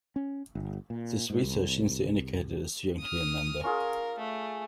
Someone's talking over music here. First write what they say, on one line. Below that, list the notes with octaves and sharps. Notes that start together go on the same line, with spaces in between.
This research seems to indicate that it is too young to be a member.
C#4
G1
A#2
G#2
C2
D#6 F6
C#4 F4 G#4 A#4
A3